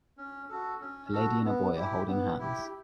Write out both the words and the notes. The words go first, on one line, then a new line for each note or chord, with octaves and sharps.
A lady and a boy are holding hands.
C#4
F#4 A4
C#4
F#4 A4
B3
E4 G4
B3
E4 G4